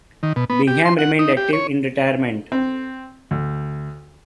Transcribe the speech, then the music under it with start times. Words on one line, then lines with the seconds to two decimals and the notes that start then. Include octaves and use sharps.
Bingham remained active in retirement.
0.23 D#3
0.36 B2
0.50 B3
0.68 G4
0.85 C6
0.99 F#5
1.19 D#4
1.37 G4
1.53 C#5
2.52 C4
3.31 D2